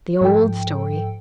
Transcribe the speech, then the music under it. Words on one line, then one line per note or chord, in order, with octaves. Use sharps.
The old story.
G#2 F3 A4 G5